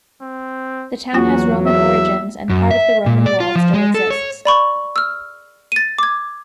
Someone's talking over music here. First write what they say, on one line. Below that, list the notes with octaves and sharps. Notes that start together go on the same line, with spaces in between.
The town has Roman origins and part of the Roman wall still exists.
C4
E2 F#3 A#3 F4 F#4
E5
F#2
E5
A#2
D5
F4
F3
G#3
A4
C#5
D5 B5 C#6
E6 F6
A6 D#7
D6 G#6